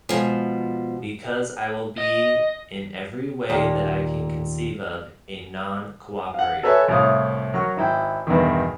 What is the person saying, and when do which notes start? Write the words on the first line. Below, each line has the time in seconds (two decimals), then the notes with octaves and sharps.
Because I will be, in every way that I can conceive of, a non-cooperator.
0.09 B2 F3 G#3
1.98 D#5
3.50 D#2 A#2
6.34 F5 F#5
6.63 A4 B4 C#5 E5 G#5
6.88 C2 A2 E4 C#5 F5 D#6
7.54 F#3 A#4 C#6
7.77 G#1 E4 G5
8.27 E2 G2 B2 D#3